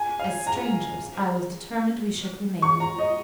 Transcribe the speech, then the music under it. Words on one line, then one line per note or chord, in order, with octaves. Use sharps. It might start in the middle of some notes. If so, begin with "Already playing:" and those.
As strangers I was determined we should remain.
Already playing: G#5
F5
A#5
C#6
A#5
D#5